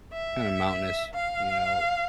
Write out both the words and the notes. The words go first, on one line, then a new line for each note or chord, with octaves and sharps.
kinda mountainous, you know.
E5
F5